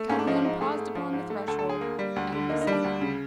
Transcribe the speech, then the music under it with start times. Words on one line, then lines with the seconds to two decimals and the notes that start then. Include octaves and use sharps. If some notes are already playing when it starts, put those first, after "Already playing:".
Calhoun paused upon the threshold, and listened.
Already playing: A3
0.09 G#2 C#4
0.19 D4
0.27 F3 D#4
0.36 D4
0.45 G#2 D#4
0.61 A3 G#4
0.78 G#2
0.95 F3
1.13 G#2
1.30 A3
1.48 D2 A4
1.59 A4
1.64 D3
1.69 G#4
1.81 A#3
1.99 G3
2.16 D2
2.32 D3
2.50 A#3 D#4
2.61 D#4
2.67 G3
2.72 D4
2.84 D2
3.01 C#3